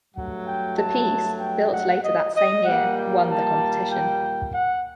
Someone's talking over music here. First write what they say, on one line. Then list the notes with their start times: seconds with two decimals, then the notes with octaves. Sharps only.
The piece, built later that same year, won the competition.
0.14 G2 F#3 A3 F#5
0.46 G5
0.77 A5
1.39 G5
1.71 F#5
2.03 D#5
2.34 D#5
2.65 A#2 G3 A#3 F#5
2.97 G5
3.29 A5
3.91 G5
4.54 F#5